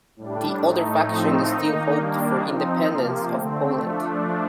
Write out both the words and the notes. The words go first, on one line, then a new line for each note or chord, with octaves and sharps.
The other faction still hoped for independence of Poland.
A2 G3 D4
A2 A3 D#4
A2 F3 A3 C4 D#4
D#3 A#3 D#4
D#3 G3 A#3 D4
F3 C4 D#4
C3 F3 A#3
D3 A3 C4
F3 A3 D4